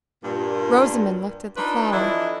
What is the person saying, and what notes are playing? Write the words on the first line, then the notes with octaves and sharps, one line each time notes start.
Rosamond looked at the flower.
G2 A#2
D4 D#4 F4 B4
E3 F3 D4 E4 A4 D#5